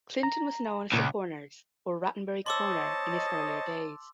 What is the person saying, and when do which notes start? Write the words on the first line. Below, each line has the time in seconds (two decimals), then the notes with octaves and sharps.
Clinton was known as "The Corners" or "Rattenbury Corner" in its earlier days.
0.23 A#5
0.94 C#2 A#2
2.46 C5 C#5 D#5 A5 C6 D6 E6